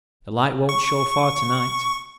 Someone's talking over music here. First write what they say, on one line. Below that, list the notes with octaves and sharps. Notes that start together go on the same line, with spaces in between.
"The light won't show far tonight."
C#6